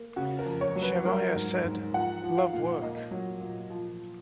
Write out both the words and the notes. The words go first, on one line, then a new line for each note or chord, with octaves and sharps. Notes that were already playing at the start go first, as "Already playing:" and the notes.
Shemaiah said: Love work.
Already playing: A#3
C#3 F#4
A#4
F2
C#5
F#3
B4
F#3 A#4
G#2
G#2
F3 F#5
F3
F5
A#2
A#3 D#5
F#3
A#2
F3